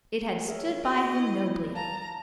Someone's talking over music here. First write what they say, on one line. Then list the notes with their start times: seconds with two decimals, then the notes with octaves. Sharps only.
It had stood by him nobly.
0.47 G#4 A#4 C#5 E5
0.83 F#4 D#5
1.18 E4
1.75 F5 A5 A#5